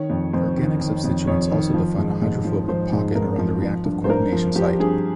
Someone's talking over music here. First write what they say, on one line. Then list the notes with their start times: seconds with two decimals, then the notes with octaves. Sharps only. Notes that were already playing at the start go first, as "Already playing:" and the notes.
The organic substituents also define a hydrophobic pocket around the reactive coordination site.
Already playing: D#3 C#5
0.10 F2
0.33 F2 C5
0.57 D#3
0.80 D#3
1.04 F2
1.27 F2 C#5
1.51 D#3
1.74 F3
1.98 G#2
2.22 G#2
2.45 F3
2.68 F3 C5
2.92 G#2
3.15 G#2 A#4
3.38 F3
3.62 F3
3.85 G2
4.04 C5
4.08 G2 A#4
4.32 F3
4.55 F3 G4
4.80 G2 G#4